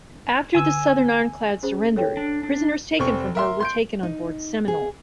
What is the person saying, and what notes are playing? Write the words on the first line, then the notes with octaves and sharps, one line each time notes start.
After the Southern ironclad surrendered, prisoners taken from her were taken on board "Seminole".
D3 G#5 E6
C#4 G#4 C5
A4 C#5 G5
D4
D4
F1 C4 C#6
A#4 E5 C6
C6 G6 D7
D#4
G#4